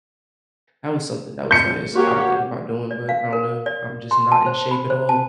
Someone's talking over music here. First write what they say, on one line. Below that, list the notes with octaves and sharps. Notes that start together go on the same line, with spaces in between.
that was something, that was nice. I'm thinking about doing, but I don't know. I'm just not in shape at all.
G6 C#7
A#3 F#4 G4 C#5
D5
F5
A#4
D5
C6
A5
C5
B5
C5
A5